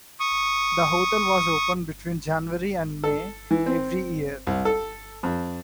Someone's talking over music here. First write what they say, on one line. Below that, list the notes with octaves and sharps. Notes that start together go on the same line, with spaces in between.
The hotel was open between January and May every year.
C#6 D#6
A4
E3
C4
C2
A4
F2